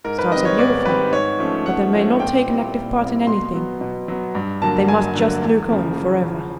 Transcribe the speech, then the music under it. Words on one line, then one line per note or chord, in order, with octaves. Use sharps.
Stars are beautiful, but they may not take an active part in anything, they must just look on for ever.
G#2 A#4
B4
D#3 G3 C4 D#5
C#5
G#2 D5
D#3 G3 C4 B4
G#2 C#5
F3 A3 C#4
G#2 F#5
F3 A3 C#4
A#2 G5
G3 C4 E4
A#2
G3 C4 E4
B2 C6
F#3 B3
B2
F#3 B3
G2
D3 F#3 A#3 A5
G2 G#5
D3 F#3 A#3
E2
C#3 F3
E2
C#3 F3